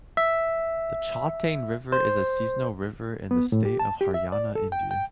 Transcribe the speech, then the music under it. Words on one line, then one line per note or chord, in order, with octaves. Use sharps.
The Chautang river is a seasonal river in the state of Haryana, India.
E5
C5
B3
A2
G4
A5
G4
E5
D5
A4
G5
G5